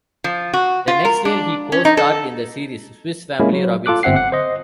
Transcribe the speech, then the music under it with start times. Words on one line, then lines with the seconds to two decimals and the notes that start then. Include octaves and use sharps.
The next year, he co-starred in the series "Swiss Family Robinson".
0.24 F3
0.53 F#4
0.88 F4
1.05 A#4
1.25 D4
1.72 C#4
1.85 D#4
1.97 A4
3.40 G#3 A#3 C#4 E4
3.53 F#3
3.86 F4 A4 D6 F#6
4.03 G1 C4 E5 F#5 C7
4.16 F#5
4.32 C5 D#5